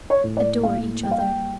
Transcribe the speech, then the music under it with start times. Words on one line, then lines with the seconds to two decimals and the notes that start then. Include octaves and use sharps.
Adore each other.
0.10 C#5
0.24 A2
0.37 D5
0.63 A#3 F5
1.03 G3 G5
1.11 F5
1.18 G5